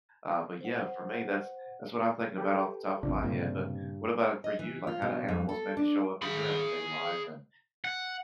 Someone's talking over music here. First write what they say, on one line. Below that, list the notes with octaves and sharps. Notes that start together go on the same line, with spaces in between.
Uh, but, yeah, for me, that's that's what I'm thinking about off the top of my head, but, what about for you? Like, how do animals maybe show up in your everyday life and
C5 F#5
G4 A4 B4
G#1 E2 C3 F3 D4
G2 A#2 C#3
D#5
E3
F4
B2
F2
A4
D4
G#4 B5
F#5